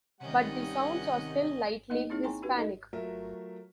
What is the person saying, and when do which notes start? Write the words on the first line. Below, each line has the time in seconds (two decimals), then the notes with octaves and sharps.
But the sounds are still lightly Hispanic.
0.20 C3 D#3 G3 C#4 D#5 F#5
1.90 A#3 D#4 D#5 F5
2.10 C4 D#4 E4 G#4 C#5
2.23 C#5 G5 G#5 A#5 C6 C#6
2.42 D4 F#4 G4 B4
2.55 D#4 A4 D#5
2.93 F#3 A3 F4 F#4 A#4 E5